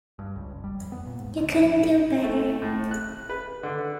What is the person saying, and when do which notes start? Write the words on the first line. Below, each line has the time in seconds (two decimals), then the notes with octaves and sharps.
You couldn't do better.
0.19 G2
0.36 C#2
0.50 F#1
0.64 G3
0.81 F2
0.92 B3
1.06 A#2
1.19 G#2
1.37 D2
1.51 D4
1.63 F3
1.80 A2
2.24 A3
2.62 A2
2.91 F#6
3.30 B4
3.63 D3